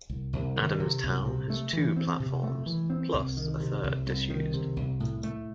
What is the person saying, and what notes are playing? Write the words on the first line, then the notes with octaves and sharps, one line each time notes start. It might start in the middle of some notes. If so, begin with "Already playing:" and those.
Adamstown has two platforms plus a third disused.
C2
C2
D#3
C3
C2
C3
A3
E3
C4
C3
A3
E3
C4
C2
D#3
C3
C2
C2
D#3
C3
C2
A2
A3